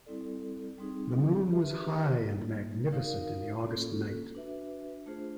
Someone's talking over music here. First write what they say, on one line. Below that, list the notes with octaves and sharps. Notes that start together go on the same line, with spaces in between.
The moon was high and magnificent in the August night.
G3 C4 E4 A4 D5
G3 C4 D#4 G#4
D4 G4 B4 E5
G3 A#3 D#4
D#4 F#4 A#4 D5 F5
A#3 C#4 F4 A4
D4 F#4 B4 E5
A3 D4 F4 G#4 C5